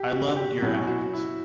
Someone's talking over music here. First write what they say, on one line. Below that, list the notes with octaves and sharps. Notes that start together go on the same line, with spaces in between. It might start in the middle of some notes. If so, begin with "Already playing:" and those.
I loved your act.
Already playing: G4
F#4
G4
B2 F#3 C#4 E4 F#4
F#4
E4